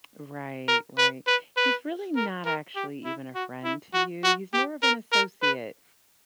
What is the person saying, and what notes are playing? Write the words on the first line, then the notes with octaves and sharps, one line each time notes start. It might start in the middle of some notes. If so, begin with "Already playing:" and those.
Right. Right. He's really not actually even a friend to you. He's more of an associate,
A#4
B4
B4
B4
A#4
A#4
G4
E4
F#4
E4
F#4
F#4
G4
A#4
A#4
B4